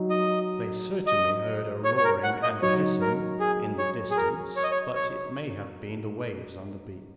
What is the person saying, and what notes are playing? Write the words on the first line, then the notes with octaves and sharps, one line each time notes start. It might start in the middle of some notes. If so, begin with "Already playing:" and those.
They certainly heard a roaring and a hissing in the distance, but it may have been the waves on the beach.
Already playing: F#3 D#4
D#5
D#5
C#5
C#5
A#4
F#5
D#5
F#3 D#4 C#5
A#4
G#4
C#5
G#4
A#4
C#5
D#5
C#5
C#5